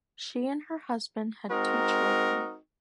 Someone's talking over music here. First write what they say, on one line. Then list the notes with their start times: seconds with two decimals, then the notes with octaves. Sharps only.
She and her husband had two children.
1.50 G#3 C4 D#4 F#4 A#4